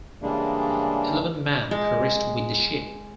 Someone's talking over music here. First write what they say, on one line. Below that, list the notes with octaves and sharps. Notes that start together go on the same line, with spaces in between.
Eleven men perished with the ship.
C#3 E3 G3 G#3 A#3 D4
G#3